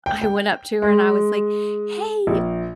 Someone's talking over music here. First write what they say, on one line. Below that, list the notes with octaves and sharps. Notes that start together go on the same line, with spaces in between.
I went up to her, and I was like, "Hey,
G5
G5
G#3
A#1